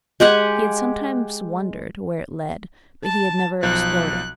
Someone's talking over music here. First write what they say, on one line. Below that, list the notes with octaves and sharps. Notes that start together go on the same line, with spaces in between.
He had sometimes wondered where it led but he had never explored it.
G#3 G4 F#5 G#5
A5
B1 F3 F#6